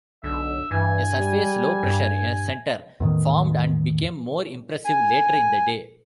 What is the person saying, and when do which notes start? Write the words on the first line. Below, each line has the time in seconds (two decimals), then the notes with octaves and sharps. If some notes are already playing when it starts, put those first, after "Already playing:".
A surface low pressure center formed and became more impressive later in the day.
0.24 B1 D3 E5
0.71 G2 E3 G#5
1.17 G3
1.83 G2
3.00 E2 A2 D#3
4.85 G#5